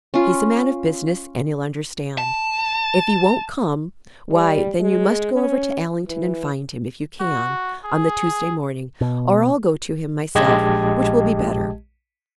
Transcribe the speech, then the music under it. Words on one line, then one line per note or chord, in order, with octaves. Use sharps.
He's a man of business, and he'll understand. If he won't come, why then you must go over to Allington, and find him, if you can, on the Tuesday morning; or I'll go to him myself, which will be better.
C#4 F4
A5
G3
G#3
C#4
E3
F#4
G#4
B2
A#1 G#3 G4 D#5 A5 G#6